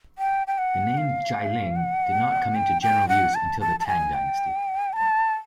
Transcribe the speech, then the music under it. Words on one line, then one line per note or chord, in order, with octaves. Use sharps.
The name Jialing did not come into general use until the Tang Dynasty.
G5
G5
F#5
F5
F#5
G5
G5
F#5
A5
A5
A5
G#5
G5
A#5
A5